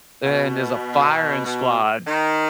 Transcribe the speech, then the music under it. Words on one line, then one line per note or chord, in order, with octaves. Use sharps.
and there's a firing squad
B2
B2
D#3